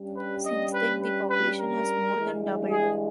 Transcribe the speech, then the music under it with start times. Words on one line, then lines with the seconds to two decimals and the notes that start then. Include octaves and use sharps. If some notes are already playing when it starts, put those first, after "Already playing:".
Since then, the population has more than doubled.
Already playing: G2 G3 C#4
0.17 B4
0.45 D#5
0.74 B4
1.01 B4
1.30 B4
1.59 A#4
2.15 G2 E3 G#3
2.71 G#4